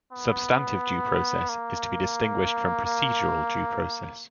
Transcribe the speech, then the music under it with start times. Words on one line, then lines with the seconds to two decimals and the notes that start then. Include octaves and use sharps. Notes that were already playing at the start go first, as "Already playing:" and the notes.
Substantive due process is to be distinguished from procedural due process.
0.12 B3
1.49 A#3
2.85 A#3